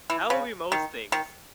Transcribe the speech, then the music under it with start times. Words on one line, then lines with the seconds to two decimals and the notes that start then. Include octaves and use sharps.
that would be most things.
0.10 E3
0.30 C#3
0.72 D#3
1.12 D#3